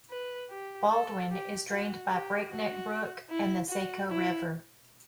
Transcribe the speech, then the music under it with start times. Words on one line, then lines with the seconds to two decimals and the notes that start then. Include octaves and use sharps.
Baldwin is drained by Breakneck Brook and the Saco River.
0.10 B4
0.50 G4
0.90 A4
1.30 G4
1.70 F#4
2.10 G4
2.50 F#4
3.30 E4
3.69 F#4
4.10 E4